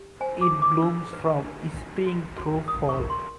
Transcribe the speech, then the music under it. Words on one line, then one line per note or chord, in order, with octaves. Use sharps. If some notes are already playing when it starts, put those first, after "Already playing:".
It blooms from spring through fall.
Already playing: G4
C5 G#5
D6
D#4
D6
D4 E6
B4
D4
D4
F#4
F#4
A#4 D#6
C#6
A#4
C6